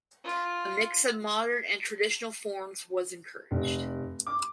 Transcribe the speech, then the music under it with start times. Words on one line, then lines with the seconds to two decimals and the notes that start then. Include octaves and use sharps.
A mix of modern and traditional forms was encouraged.
0.24 F4
3.51 F1
4.27 D6